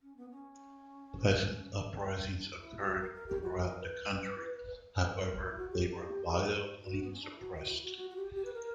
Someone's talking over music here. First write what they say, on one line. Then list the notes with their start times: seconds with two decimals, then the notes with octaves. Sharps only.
Peasant uprisings occurred throughout the country; however, they were violently suppressed.
0.02 C#4
0.16 B3
0.30 C#4
2.28 D4
2.57 E4
2.79 G4
2.85 F#4
3.00 A#4
3.14 A#4
3.28 G4
3.42 F#4
3.61 A#4
3.80 B4
5.03 B4
5.13 A#4
5.43 E4
5.57 F#4
5.70 G4
6.83 F#4
7.03 B3
7.12 C#4
7.21 D4
7.30 E4
7.39 F#4
7.54 F#4
7.69 E4
7.82 F#4
7.96 F#4
8.09 F#4
8.15 G4
8.34 G4
8.45 B4
8.53 A#4